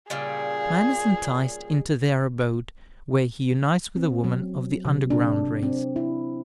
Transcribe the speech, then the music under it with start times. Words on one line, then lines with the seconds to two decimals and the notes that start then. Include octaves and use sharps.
A man is enticed into their abode, where he unites with a woman of the underground race.
0.10 A#2 C#3 G3 G#4
3.96 C4
4.24 F#3
4.85 C3
5.10 D4
5.63 C4
5.96 E4